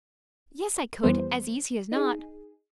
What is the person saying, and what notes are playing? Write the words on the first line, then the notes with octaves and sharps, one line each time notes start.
"Yes, I could, as easy as not."
F2 E3 G3 B3 C5
D#4 G#4